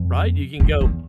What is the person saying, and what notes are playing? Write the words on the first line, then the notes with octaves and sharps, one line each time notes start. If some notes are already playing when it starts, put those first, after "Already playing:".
Right? You can go
Already playing: F2
E2
E2